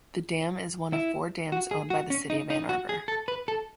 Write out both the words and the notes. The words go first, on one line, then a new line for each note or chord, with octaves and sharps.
The dam is one of four dams owned by the city of Ann Arbor.
E4
F#4
G#4
F#4
C#4
D#4
D#4
F#4
G#4
A4
B4
A4